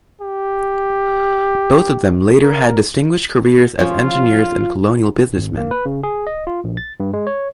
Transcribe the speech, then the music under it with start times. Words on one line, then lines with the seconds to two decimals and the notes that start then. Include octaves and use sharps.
Both of them later had distinguished careers as engineers and colonial businessmen.
0.21 G4
2.43 A#4
3.79 F3 C#4 F4
5.37 G#1
5.58 A#3
5.71 B4
5.85 C#3
6.03 G#4
6.27 D#5
6.47 F4
6.64 A#1
6.77 A6
7.00 G2
7.13 G#3
7.27 C#5